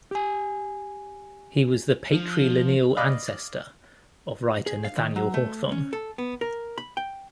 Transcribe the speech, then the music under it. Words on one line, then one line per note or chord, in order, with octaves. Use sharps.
He was the patrilineal ancestor of writer Nathaniel Hawthorne.
G4 G#5
F3
D5 D#5 F5 B5 D6
G#4
F5
D#3
F#3
A3
C#4
A4
B3
A#4
B5
G5